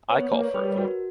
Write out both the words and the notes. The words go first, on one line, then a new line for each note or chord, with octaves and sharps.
I call for a vote.
B3 C#5
B4
A#3 D5
C#5
G3 B4
A#4
F#4
F#4